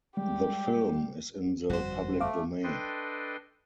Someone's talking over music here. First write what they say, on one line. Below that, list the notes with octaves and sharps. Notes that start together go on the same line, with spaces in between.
The film is in the public domain.
G3 G#3 G4
G1 F2 G3 F#4 C5
A3 F5 D6
D4 A4 B4 D#5 G5 C6